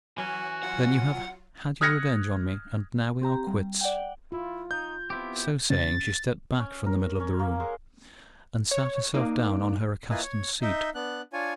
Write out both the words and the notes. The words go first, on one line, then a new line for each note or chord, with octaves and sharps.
"Then you have had your revenge on me, and now we are quits." So saying, she stepped back from the middle of the room, and sat herself down on her accustomed seat.
E3 F#3 C#4 F#4
F#3 F4 F#5
D#6 F6 F#6 G#6 A#6 C#7
C4 G4 A#5
G3
D5 F#5 G5
E4 F4
D#4 G6
B3 C4 E4 G4
C#3 A6
C#4
A#4
C#4
A#3
G#3
C#5
A#3 D#4 D5
A#3 E4 F4 B4 D#5 G#5
C#5
D#4 D#5 E5 G6
B3 D4 F#6
D4 F4 C#5 G#5